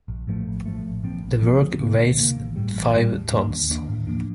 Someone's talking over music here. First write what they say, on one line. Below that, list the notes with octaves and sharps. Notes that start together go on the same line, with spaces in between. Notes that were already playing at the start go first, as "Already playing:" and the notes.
The work weighs five tons.
A#1
A2 F3 A3
A#1
A2 F3 A3
A#1
A#2 F3 C4
A#1
A#2 F3 C4
D2
C3 D#3 A#3
D2
C3 D#3 A#3
A1
A2 G3
A1
A2 G3
D#2
D#3 A#3 D4
D#2
D#3 A#3 D4
A2
F3 A#3 D4